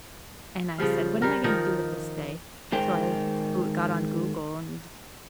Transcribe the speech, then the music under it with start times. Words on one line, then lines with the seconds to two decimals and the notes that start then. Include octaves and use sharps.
and I said, "What am I gonna do with this day?" So I Goo got on Google and
0.78 C#3 F3 G3 F5
1.22 G3 A#4
1.44 D#3 F3 A#4
2.72 D#3 G#3 A#4 C5 G5